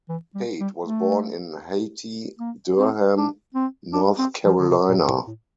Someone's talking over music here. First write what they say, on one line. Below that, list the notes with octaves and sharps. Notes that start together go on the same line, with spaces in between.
Tate was born in Hayti, Durham, North Carolina.
E3
G3
G3
A3
A#3
C4
D4
C4
D4
C4
F3
D3
C3
A#2
A2
A2